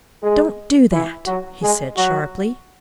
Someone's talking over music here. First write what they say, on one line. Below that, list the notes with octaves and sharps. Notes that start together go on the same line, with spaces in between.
"Don't do that!" he said sharply.
G#3 G#4
E3 E4
F#3 F#4
G#3 G#4
F#3 F#4